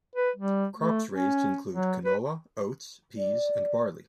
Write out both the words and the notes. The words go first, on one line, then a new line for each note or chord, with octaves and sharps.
Crops raised include canola, oats, peas and barley.
B4
G3
A3
C#4
F#3
B4
D5